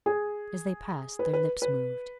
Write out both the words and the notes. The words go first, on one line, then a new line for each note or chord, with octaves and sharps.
As they passed their lips moved.
G#4
B4
B4
B4